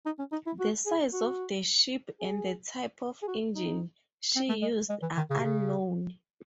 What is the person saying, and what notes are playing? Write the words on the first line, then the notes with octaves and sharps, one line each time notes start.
The size of the ship and the type of engine she used are unknown.
D#4
C#4
D#4
E4
F#4
G#4
F#4
G#4
G#4
F#4
D#4
C4
A3
G#3
G#3
E3
D#3
C#3
C3
C#3